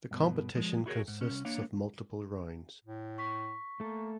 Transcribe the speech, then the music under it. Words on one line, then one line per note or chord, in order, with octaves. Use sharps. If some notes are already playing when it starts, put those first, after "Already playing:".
The competition consists of multiple rounds.
G2 B2
F3 G#3
E4 F#4 G#4 A#4 C#5
G#2
C2 C#4
A#3 D4 C#5 F5
A2
C#6 B6
A3 A#3 A4